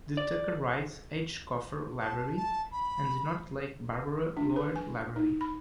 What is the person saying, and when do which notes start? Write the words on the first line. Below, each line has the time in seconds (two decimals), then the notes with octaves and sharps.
The Tucker-Reid H. Cofer Library, and the Northlake-Barbara Loar Library.
0.17 D5
2.00 A5
2.36 A5
2.72 B5
4.37 D4
4.56 B4
4.76 G#5
5.16 D#4
5.41 B5